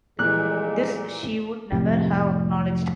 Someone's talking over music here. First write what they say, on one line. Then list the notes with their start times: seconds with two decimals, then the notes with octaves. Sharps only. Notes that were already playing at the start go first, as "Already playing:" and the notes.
This she would never have acknowledged.
0.19 F2 A#2 E3 G3 G#3 F#6
1.72 F2 A2 C3 G3